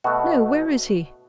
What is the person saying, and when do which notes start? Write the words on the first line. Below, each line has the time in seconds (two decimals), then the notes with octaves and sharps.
"No, where is he?"
0.04 B2 A3 F#4